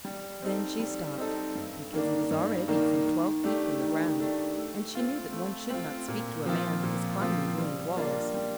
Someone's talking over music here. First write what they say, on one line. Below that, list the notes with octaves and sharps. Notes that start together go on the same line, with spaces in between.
Then she stopped, because he was already some twelve feet from the ground, and she knew that one should not speak to a man who is climbing ruined walls.
G3
C4 D#4 A4
G3
C4 D#4 A4
G2
D#3 A#3 D4
G2
D#3 A#3 D4
D#3
A3 D4 G4
D#3
A3 D4 G4
A3
C4 F4
A3
C4 F4
A#2
F3 C4 F4
A#2
F3 C4 F4
G3
A#3 D4 F4
G3